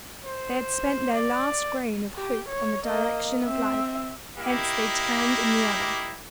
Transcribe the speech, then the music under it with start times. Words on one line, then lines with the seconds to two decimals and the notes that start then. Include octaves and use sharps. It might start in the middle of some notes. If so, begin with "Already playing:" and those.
They had spent their last grain of hope on the direction of life; hence they turned in the other.
0.24 C5
1.12 D5
2.16 G4
2.48 C#5
2.85 A#3 D#5
3.44 C4 E5
4.38 A#3 E4 G4 D#5